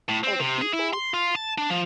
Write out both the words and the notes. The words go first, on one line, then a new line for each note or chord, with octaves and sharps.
Oh, the people?
A2
C4
C3
G#4
E4
C6
F4
A5
D4
F3